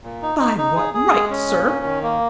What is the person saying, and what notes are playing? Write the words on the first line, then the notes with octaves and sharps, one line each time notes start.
"By what right, sir?"
A#2
D#4
D#4
D#4
G#4
G#4
G#3
C#4
A#2
C#4
D#3
A#3